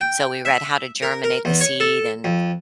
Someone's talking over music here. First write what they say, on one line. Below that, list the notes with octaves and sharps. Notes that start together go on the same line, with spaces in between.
So, we read how to germinate the seed and
G5
E5
A#4
A#4
E2
C#5
A4
F2